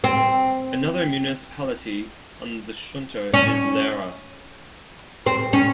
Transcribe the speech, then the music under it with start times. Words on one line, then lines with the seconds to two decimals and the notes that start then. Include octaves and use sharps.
Another municipality on the Schunter is Lehre.
0.04 C4
3.34 C#4
5.26 C4
5.53 C#4